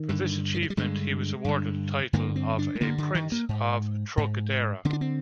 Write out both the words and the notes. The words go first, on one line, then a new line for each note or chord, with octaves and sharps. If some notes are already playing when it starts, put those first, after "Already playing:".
For this achievement, he was awarded the title of a "Prince of Trocadero".
Already playing: D#3
G2 D3
D#3
F3
G3
G2 D3 G#3
G2 D3
G2 D3 A#3
C4
D4
G#3
G2 D3 A#3
D3
D#3
A#3
G#2
G#2
G2 D3 C4
D4
C4